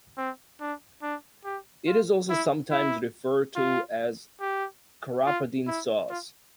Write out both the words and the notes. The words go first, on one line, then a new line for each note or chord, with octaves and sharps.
It is also sometimes referred to as "crapaudine sauce".
C4
D4
D4
G4
F4
E4
E4
F4
G4
F4
E4
F4